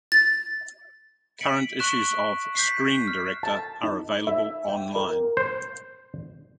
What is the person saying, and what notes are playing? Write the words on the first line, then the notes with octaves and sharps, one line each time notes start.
Current issues of "Screen Director" are available online.
A6
B6 C#7 D7 F#7
C#6 F#6 B6 E7
G6 B6 C7
F6
A5
D#4
E5
G5
A#4
C5